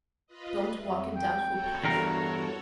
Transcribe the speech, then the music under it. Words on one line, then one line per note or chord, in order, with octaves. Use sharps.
Don't walk in doubtful paths.
F4 B4 D#5
F2 E5
G5
F#4 A4 C#5
E2 G2 A#4
D4